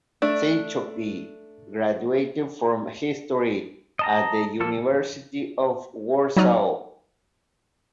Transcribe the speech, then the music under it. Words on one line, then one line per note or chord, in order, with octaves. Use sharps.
Cichocki graduated from history at the University of Warsaw.
A3 D4
D#5 A5 A#5
F3 A#3 A4
F#3 D#4 D5 D#6 F6